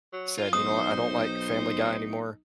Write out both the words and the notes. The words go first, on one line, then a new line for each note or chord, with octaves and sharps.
said, "You know what? I don't like Family Guy anymore."
F#3
F4
B1 D#4 C5 D#6